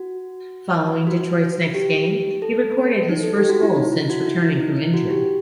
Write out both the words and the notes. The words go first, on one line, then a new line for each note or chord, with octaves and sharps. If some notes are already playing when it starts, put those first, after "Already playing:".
Following Detroit's next game, he recorded his first goal since returning from injury.
Already playing: F#4
F#4
G4
A4
D#4
A4
G4
F#4
E4
D#4
E4
F#4
E4
E4
D#4
E4
F#4
G4